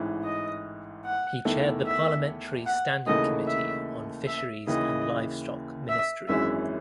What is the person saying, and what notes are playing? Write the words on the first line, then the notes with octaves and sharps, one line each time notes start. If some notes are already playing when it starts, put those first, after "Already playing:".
He chaired the parliamentary standing committee on fisheries and livestock ministry.
Already playing: A1 G#2 E3
D#5
F#5
E2 D#3 A3 E4
E5
F#5
D#2 C#3 E3 A3 D#4 D#5
E5
E5
D#2 C#3 E3 D#5
E5
G#1 F#2 E3 G#3 C#4 E5